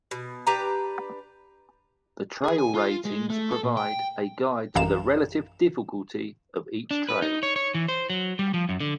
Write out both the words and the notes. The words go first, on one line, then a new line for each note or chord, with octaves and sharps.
The trail ratings provide a guide to the relative difficulty of each trail.
B2
D4 G4 B4 A#5
G#4
G#5
F4
G#3
A3
A4
A#2
G5
A1 F#2 F5 A#5 E7
D4
B4
D#4
C#5
C#5
E3
C5
F#3
G3
F3
F#2
D3